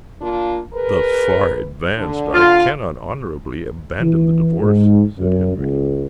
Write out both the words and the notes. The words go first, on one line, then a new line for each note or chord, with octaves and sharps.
"Thus far advanced, I cannot honourably abandon the divorce," said Henry.
A#3 D4 F4
G#4 A#4 B4
D3
F4
E3
G#2
F#2
C#2